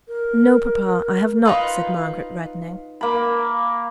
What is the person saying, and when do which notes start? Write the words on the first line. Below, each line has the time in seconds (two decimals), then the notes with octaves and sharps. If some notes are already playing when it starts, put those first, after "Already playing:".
'No, papa; I have not,' said Margaret, reddening.
0.08 A#4
1.45 D#4 F4 B4
3.01 A#3 B5